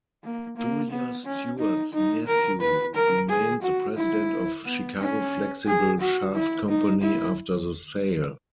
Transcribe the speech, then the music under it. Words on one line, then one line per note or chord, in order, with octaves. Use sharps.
Julia Stewarts nephew remained the president of Chicago Flexible Shaft Company after the sale.
A#3
A#3
B3
C#4
D#4
D#4
A#4
B4
A#4
G#4
F#4
E4
B3
C#4
G#4
F#4
E4
D#4
E4